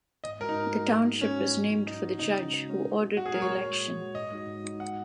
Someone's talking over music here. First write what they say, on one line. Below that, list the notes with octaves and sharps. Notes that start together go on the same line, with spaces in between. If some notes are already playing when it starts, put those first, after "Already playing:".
The township is named for the judge who ordered the election.
G#2 D#5
G#3 F#4 A#4
D#4
G#2
G#3 F#4
G#2
G#3 D#4 F#4
G#2 C#4
G#3 D#4 F#4
G#2
F#3 D#4 F#4
G#2 D#4
F#3 D#4 F#4
C#3 D#4
G#3 C#4 F#4
C#3
G#3 C#4 F#4
A#2
G#3 F#4
A#2 F#4
G#4
G#3 F#4 A#4
C#5
A#2
G#3 F#4
A#2
G#3 F#4
G#2 D#5
G#3 D#4 F#4
G#2
G#3 D#4 F#4
F#5